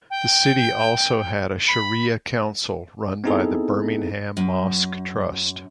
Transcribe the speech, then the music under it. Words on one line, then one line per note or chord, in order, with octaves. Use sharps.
The city also has a Shariah Council run by the Birmingham Mosque Trust.
G5
B5
B3 C4 D#4 E4 G#4 A4
F#2